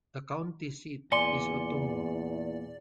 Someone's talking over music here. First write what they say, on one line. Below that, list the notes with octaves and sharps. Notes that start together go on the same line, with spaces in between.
The county seat is Ottumwa.
E2 A#2 D5 G#5 C6 C#7